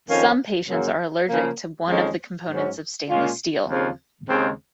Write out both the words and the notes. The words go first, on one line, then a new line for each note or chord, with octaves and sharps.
Some patients are allergic to one of the components of stainless steel.
F2 D#3 A#3 C#4
F#2 C#3 F#3 A#3
C#3 F3 A#3
F2 D#3 G#3 C#4
G#2 F#3 C#4
A#2 G#3 C#4 F4
D#2 C#3 F3 C4
D#2 C#3 G#3 C4